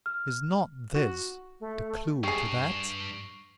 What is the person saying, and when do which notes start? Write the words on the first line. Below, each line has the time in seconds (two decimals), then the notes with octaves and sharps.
Is not this the clue to that?
0.06 F6
0.95 F#4
1.60 A3
2.23 G2 G4 G#4 C#6 C7